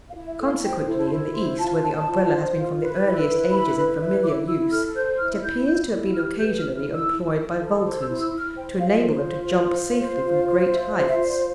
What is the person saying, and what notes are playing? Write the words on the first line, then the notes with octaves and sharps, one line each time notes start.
Consequently, in the East, where the Umbrella has been from the earliest ages in familiar use, it appears to have been occasionally employed by vaulters, to enable them to jump safely from great heights.
F5
E4
E5
A4
F5
C5 G5
E4
A5
E4
C5 C6
F4 A5
C5 A5
F4
C5
F4
B4
E4
B4
E4 B5
B4
E4
E4 D6
E4 E6
A4 F6
C5 G6
E4 F6
E4 G6
E4 G6
E4
G4 F6
B4 G6
F6
E4
F6
E4
E6
E4
E4
A4
C5 D6
E6
E4
E6
E4
F6
C5 G5
F4 F5
C5
F4
C5
F4
C5
F4
C5
F4 E5
D5
C5
E5
F4
D5